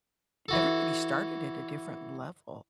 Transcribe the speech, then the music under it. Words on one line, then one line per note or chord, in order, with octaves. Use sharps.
everybody started at a different level
E3 F#4 A4